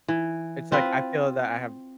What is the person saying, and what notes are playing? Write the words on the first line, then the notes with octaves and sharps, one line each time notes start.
It's like, I feel that I have
E3
C4 F4 B4